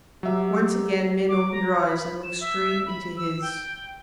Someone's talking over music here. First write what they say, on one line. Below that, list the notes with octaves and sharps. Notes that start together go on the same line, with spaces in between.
Once again Min opened her eyes and looked straight into his.
F#3 G4 E5
D6
A#5
B5
E7
E5
B5
E6
G5